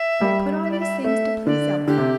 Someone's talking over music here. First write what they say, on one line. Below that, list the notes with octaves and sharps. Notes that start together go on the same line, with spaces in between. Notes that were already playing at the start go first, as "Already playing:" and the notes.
But I put on these things to please Ellen.
Already playing: E5
G3
E5
D5
E5
A3 E5
D3 D5
D3 G4
C3